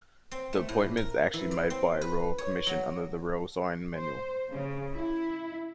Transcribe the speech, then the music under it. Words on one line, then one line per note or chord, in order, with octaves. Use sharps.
The appointment is actually made by a Royal Commission under the royal sign-manual.
C4
A3
A2
A#4
E3
D5
C4
B4
C#5
F#3
C5
C#3
E4